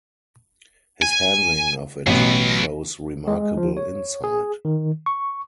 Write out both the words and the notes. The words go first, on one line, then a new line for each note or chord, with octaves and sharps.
His handling of it shows remarkable insight.
G#5
A1 B2 F#3 B3
G#3
F3
C#5
G#4
D#3
C#6